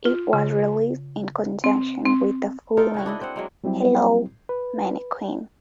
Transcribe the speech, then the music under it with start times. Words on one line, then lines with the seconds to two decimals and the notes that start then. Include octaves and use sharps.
It was released in conjunction with the full-length "Hello, Mannequin".
0.05 F4
0.33 C#3
1.64 C4
2.06 C4
2.77 D#4 F4 A4 A#4
2.94 C#3 E4 F#4
3.06 D4 E4 D#5
3.21 C4 F#5
3.36 F#3 G#3 A#3
3.64 F#3 G3 C4 E4 G4
4.49 B4